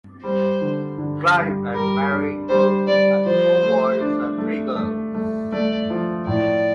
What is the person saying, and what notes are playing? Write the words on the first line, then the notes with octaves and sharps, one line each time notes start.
Clive and Marie Uhr had four boys and three girls.
G3 C5
D3
D3
G3
G3 A#4
D4
G3 C5
G3 D5
F3 C5
A3
D4
A3
A3
A3
A3 D5
F3
A2 D5